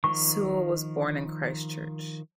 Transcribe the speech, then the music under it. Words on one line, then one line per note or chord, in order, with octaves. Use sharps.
Sewell was born in Christchurch.
D#3 F3 C#6